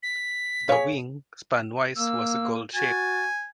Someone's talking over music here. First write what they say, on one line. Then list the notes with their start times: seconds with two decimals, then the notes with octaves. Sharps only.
The wing, spanwise, was "gull" shaped.
0.03 B6
0.69 G#4 C#5 F5
1.96 A#3 E6
2.75 F#4 G#5 A6